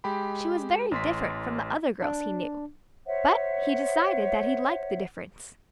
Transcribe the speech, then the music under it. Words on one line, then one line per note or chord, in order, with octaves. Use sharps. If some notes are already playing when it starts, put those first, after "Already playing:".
She was very different from the other girls he knew, but he decided that he liked the difference.
G#3 G4 G5 B5
A1 C6 B6
D4
C5 C#5 E5 F#5